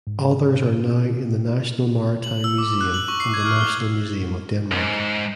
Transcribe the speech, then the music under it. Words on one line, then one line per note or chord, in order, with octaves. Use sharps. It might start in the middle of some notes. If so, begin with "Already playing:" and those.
Others are now in the National Maritime Museum and the National Museum of Denmark.
G#2
F#7
E6
D6
F#6
F#7
C#6
C7
G#6
F6
G7
C#2 G#2